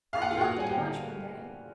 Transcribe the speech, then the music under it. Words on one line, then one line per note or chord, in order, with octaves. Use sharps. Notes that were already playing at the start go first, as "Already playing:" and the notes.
I went out there to lunch one day.
D#2 F5
F#5
F4 F5
A#3 G5
F#4 F#5
G3 G#5
G4 G5
D3